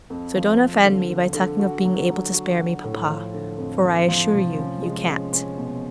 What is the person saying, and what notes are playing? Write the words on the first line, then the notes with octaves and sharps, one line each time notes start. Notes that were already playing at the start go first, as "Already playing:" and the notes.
So don't offend me by talking of being able to spare me, papa, for I assure you you can't.'
F2
F3
F2
D3
D3
D3
F#4
F#3
F#3
F#4
F#3
A2
F3
D3
F2
F3
F3
F1
C#4
G#3
C#4
C#4
B2